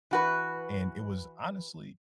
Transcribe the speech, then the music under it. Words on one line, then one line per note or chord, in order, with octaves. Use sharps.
and it was honestly,
E3 F#4 B4